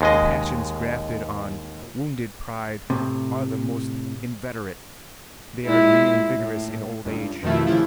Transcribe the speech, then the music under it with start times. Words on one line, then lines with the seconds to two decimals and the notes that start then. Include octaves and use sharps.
The passions grafted on wounded pride are the most inveterate; they are green and vigorous in old age.
0.01 D#2 G#3 D#5
2.90 A2 C3
5.65 A#2 G#3 E4
6.35 A2
7.05 C#2 G2
7.43 F2 B2 D#3 F3 A3 E4
7.66 C#3 E3 F3 A3 E4 G4